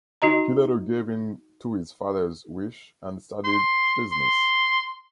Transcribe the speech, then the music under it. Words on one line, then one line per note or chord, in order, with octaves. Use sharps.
He later gave in to his father's wish and studied business.
D#4 F#4 D#5 A#5
C6
C6